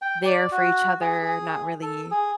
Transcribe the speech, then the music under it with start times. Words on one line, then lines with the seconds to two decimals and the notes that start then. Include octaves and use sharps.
there for each other, not really
0.02 G5
0.25 D5
0.52 F#4
1.01 G#4
1.22 G#4
1.82 A4
2.11 G#4